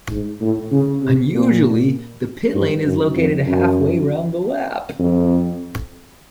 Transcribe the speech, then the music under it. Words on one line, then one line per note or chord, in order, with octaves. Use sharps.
Unusually, the pit lane is located halfway round the lap.
G#2
A2
C#3
C3
A#2
G2
F#2
F2
F#2
F2